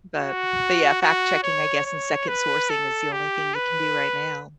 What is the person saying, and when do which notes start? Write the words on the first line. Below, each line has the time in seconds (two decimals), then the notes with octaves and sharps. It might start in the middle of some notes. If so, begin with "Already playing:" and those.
but but, yeah, fact checking, I guess, and second sourcing is the only thing you can do right now,
0.16 F#4
1.01 F#4
1.43 C#5
1.85 C#5
2.28 B4
2.70 A4
3.13 G4
3.54 B4